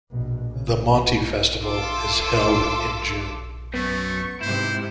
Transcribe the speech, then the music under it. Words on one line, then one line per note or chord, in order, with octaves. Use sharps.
The Monti Festival is held in June.
A#1 B2
C#3
F4 A4 E5 C6 D6 E6
F#2 A3 B3 C#6
G#2 C3 E4 C5